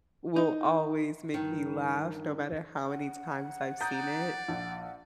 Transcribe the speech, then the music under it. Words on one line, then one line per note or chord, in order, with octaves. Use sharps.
will always make me laugh no matter how many times I've seen it,
D#4
G2 D#3
F#5
D5 A#5 D#6 G6
A#1